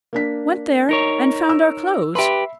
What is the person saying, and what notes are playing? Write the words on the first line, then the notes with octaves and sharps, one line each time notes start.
Went there and found our clothes.
A#3 D4 B6
D#4 A#4 C#5
E6
G4 B4 E5 B5 C6